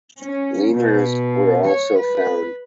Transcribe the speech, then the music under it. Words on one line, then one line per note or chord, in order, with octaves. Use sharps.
Lemurs were also found.
C#4
B2
C#5
B4